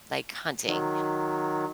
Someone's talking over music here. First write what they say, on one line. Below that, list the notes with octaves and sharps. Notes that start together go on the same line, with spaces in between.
like, hunting,
D#3 F#3